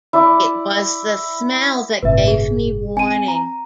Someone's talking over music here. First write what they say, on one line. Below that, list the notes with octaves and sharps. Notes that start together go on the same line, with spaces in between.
It was the smell that gave me warning.
E4 D5
G1 A2 C3 B4 E5
G#4
C4 G#5 D#7
A#5